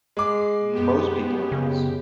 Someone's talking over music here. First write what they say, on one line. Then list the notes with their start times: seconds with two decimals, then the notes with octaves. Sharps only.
most people are nice,
0.17 G#3 D6 C7
0.75 F#2 B3 G4
1.52 C#3